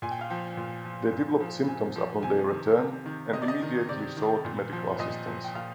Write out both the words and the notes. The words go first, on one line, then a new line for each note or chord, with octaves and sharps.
They developed symptoms upon their return and immediately sought medical assistance.
A#2 G#5
G5
F5
F3 G5
A#2
F3
A#2
F3
A#2 G#5
F3
C3 G#5
D#3
C3
D#3
C3 D#5
D5
D#5
D#3
C3 D5
D#3
A#2
F3
A#2 D#5
F3
G5
A#2 F5